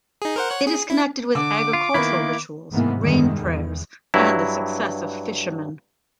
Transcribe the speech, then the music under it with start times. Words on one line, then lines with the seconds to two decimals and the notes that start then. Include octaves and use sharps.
It is connected with agricultural rituals, rain prayers, and the success of fisherman.
0.22 D#4 G#4
0.36 A#4 C5 F#5
0.50 C#5 F#5 F#6
0.67 G#4
0.90 E4
1.35 D3 D6
1.73 F4
1.94 D#3 A#3 B3 E4 B5
2.71 G#2 C3 D#3 E3 A#3 B3
3.01 F#2 D3 D#3 G3 G#3
3.41 E2
4.14 G2 F#3 E4